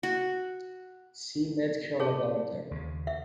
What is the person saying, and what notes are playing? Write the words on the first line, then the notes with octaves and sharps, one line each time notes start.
See Medical laboratory.
F#4
G#4 C#5 A5
D#2 C#3
E5